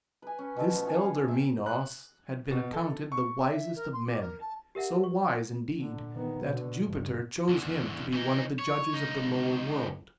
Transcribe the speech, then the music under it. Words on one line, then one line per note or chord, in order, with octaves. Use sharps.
This elder Minos had been accounted the wisest of men--so wise, indeed, that Jupiter chose him to be one of the judges of the Lower World.
B4 G#5
C#4
B2 F3 E5
A3 B3
C#5 F5 G#5
E5 G5
F#6
B2
A4
C#6
E5
A#4
C6
D6
A#4
A5
G4 A#4 E5 F#5
C#6
A#2 D3
D#3 B3
B2 D3
G2 C#3
E2 D3
E3 D#4
C#5
C#2 D#4